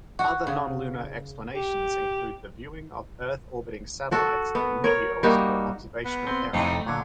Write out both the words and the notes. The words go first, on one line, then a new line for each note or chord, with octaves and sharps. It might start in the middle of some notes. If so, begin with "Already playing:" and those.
Other non-lunar explanations include the viewing of Earth-orbiting satellites and meteors or observational error.
F#4
C#3
G4
F#4 A4 F#5
B3
A#4 C#5
G3 A#3 D#4 F#4
B3
C4 C6
F2 A2 C3 A3 D#4
A#2 D3 F#3